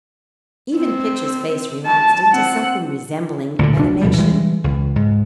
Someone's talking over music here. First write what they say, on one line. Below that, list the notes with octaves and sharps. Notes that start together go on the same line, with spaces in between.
Even Pitcher's face relaxed into something resembling animation.
C4
A5
C4 F#5
D2 A#2 D3
F1 D4
D#2 B2 F3 G3
E3 G3 G#3
C#2
G#2